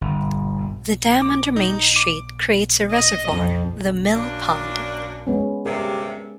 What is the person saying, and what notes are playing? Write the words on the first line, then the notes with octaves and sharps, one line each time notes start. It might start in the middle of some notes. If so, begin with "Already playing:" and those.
The dam, under Main Street, creates a reservoir, the Mill Pond.
G1
D6
D#4
D6
D#5
F2
F#2 A#3 D4
G#3 B3 C#4
D2 G2 C3 G#4 A#4